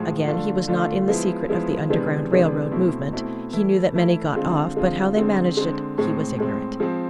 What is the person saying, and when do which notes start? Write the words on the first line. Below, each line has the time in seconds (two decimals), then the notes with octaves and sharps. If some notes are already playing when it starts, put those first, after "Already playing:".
Again, he was not in the secret of the Underground Rail Road movement; he knew that many got off, but how they managed it he was ignorant.
Already playing: A2 F3 G#3
0.27 D3 A3 D4 F4
0.67 D3 A3 D4 F4
1.08 F3 G#3 B3 E4
1.49 F3 G#3 B3 E4
1.90 C3 E3 G#3 B3 D4
2.31 C3 E3 G#3 B3 D4
2.71 B2 A3 C4 E4
3.12 B2 A3 C4 E4
3.53 E3 A3 E4
3.94 E3 A3 E4
4.35 D3 G#3 C4 F4
4.75 D3 G#3 C4 F4
5.16 D3 G#3 C4
5.57 D3 G#3 C4
5.98 A2 G#3 C4
6.38 A2 G#3 C4
6.80 F3 G#3 C4